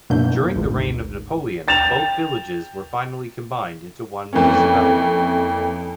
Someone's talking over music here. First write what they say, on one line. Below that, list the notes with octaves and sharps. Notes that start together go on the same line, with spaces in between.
During the reign of Napoleon, both villages were finally combined into one municipality.
F#2 B2 E3 A#3 D4 G6
G#1 D2 G#2
G5 A6 E7 F7
F2 E3 A#3 C#4